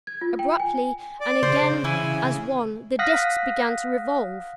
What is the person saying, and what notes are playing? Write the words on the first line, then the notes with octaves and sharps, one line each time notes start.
Abruptly, and again as one, the disks began to revolve.
G#6
F4
G5
G#5
D5
C#3 C5
E3 E4 G#5
F5 F#5 D#6 F#6 A#6 B6